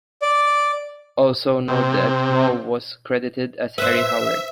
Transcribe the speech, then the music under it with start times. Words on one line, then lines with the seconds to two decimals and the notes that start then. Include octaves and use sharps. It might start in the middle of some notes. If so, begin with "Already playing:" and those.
Also note that Moe was credited as Harry Howard.
0.22 D5
1.68 C3
3.78 B4 C5 E5